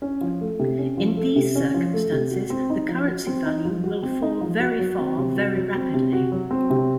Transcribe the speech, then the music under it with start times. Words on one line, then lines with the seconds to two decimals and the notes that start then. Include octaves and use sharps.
In these circumstances, the currency value will fall very far very rapidly.
0.02 C#4
0.21 F3
0.41 A3
0.59 C3
0.78 C#4
0.97 F3
1.17 A3
1.36 C3
1.55 C#4
1.74 F3
1.93 A3
2.12 C3
2.31 F#4
2.50 C4
2.70 D#4
2.89 F3
3.08 F#4
3.27 C4
3.46 D#4
3.65 F3
3.84 F#4
4.03 C4
4.22 D#4
4.41 F3
4.60 F#4
4.79 F#3
4.98 C4
5.17 C3
5.36 F#4
5.56 F#3
5.75 C4
5.94 C3
6.13 F#4
6.32 F#3
6.51 C4
6.70 C3